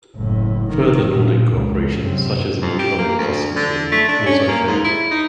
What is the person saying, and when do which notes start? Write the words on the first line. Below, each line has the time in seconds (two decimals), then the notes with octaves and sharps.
Further Nordic co-operation, such as an economic customs union, also failed.
0.16 F#1 A2
0.70 D#3
1.12 A#2
1.52 C#2
1.99 F#2 C3
2.62 F2
2.79 G4
2.98 A#3
3.18 D2
3.56 D3
3.92 A3
4.08 D4
4.26 C#4
4.48 A#3
4.67 G#2
4.84 E4
5.11 D#4